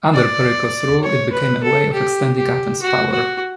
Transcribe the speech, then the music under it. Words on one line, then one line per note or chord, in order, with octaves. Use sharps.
Under Pericles' rule, it became a way of extending Athens' power.
D5
C#5
B4
A4
G4
G4
F#4
F#4